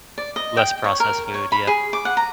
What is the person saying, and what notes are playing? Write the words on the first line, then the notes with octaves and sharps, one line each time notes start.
Less processed food. Yep.
D5
D#5
G5
C#5
A#4
C#5
B5
G#4
D6
F#5
A#5